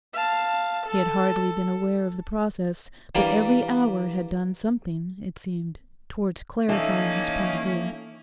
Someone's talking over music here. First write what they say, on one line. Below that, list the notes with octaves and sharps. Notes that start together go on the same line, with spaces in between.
He had hardly been aware of the process, but every hour had done something, it seemed, towards clarifying his point of view.
F5 A5
A4
E3 G3 A#3 D4 D5
E3 A#3 C#4 D#4 A4 E5 F5